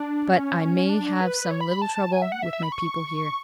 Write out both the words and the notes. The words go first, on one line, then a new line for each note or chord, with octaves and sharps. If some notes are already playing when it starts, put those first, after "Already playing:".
But I may have some little trouble with my people here.
Already playing: D4
C#4
D4
B4
C#5
B5
B5
A5
G#5
E5
F#5
E5
E5
B5
C#6